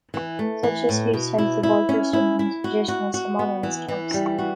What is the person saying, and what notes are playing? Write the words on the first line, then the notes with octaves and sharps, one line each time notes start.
Such disputes tend to divide Christians into traditionalist and modernist camps.
E3
A3
E3
A2
B2
E4
E4
C#4
E4
E4
F#4
F#4
F#4
B3
E3
E3
G3
F#4